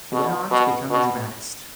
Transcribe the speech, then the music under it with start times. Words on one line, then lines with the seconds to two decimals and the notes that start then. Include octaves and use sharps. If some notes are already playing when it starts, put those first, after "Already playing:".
He went on to become a dramatist.
0.12 B2
0.51 B2
0.90 B2